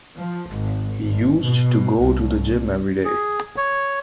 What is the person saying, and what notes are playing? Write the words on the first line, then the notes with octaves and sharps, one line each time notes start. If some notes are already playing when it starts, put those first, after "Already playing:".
He used to go to the gym every day.
F3
G#1
G#1
B2
C2
G#4
C#5